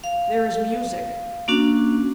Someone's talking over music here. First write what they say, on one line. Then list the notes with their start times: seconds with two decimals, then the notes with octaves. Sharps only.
There is music.
0.04 F5
1.48 A#3 C#4 D4 F#4